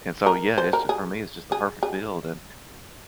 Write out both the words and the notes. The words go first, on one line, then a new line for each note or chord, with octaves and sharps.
and so, yeah, it's just for me, it's just the perfect build. And,
A#4
C5
A#4
G#4
G#4
G#4